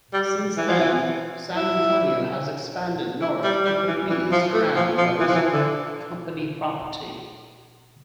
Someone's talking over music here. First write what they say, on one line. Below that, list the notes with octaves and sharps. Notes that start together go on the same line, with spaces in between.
Since then San Antonio has expanded north to completely surround what was company property.
G3
E3
F3
E3
E4
E4
G3
G3
E3
E3
F3
A3
F3
F3
E3
F3
E3
D3